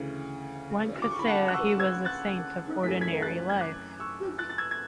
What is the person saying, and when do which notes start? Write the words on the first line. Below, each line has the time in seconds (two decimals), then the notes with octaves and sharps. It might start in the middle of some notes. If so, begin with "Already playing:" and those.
One could say that he was the saint of ordinary life.
Already playing: D2 C#3 E3
1.02 D6
1.11 C#6
1.19 B5
1.27 F#5 A5
1.48 F#6
1.53 C#6 E6
1.79 E6 G#6
2.05 F#6 A6
2.83 F#2 E3 A3 B6
3.01 G#6 B6
3.22 F#6 A6
3.50 G#6
3.61 D6 F#6
4.00 C#6 E6
4.38 F#6 A6
4.50 A6
4.58 E6 G#6
4.71 G#6